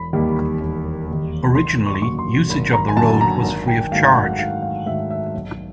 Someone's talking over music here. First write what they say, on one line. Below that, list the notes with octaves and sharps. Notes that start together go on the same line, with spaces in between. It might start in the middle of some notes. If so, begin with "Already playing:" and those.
Originally usage of the road was free of charge.
Already playing: E1 B5
D#2 D#3 G3 A#3
E1
D#2 D#3 G3 A#3
G#1 C6
C#6
C6
F#2 D3 F#3 A#3 C#6
C6
G#1 B5
A#5
G#5
F#2 D3 F#3 A#3 A5
A#5
G#1
G5
G#2 D#3 F#3 A3 F5
F#5
G#1 F5
F5
G#2 D#3 F#3 A3 E5
E5
B1